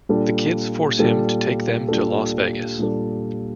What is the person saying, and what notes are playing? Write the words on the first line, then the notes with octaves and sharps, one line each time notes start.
The kids force him to take them to Las Vegas.
A#2 G3 D4 A4
A#2 G3 D4 A4
A#2 G3 D4 A4
A#2 G3 D4 A4